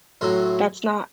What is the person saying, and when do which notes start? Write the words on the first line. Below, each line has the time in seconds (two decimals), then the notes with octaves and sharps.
that's not
0.21 A2 F#3 A3 C6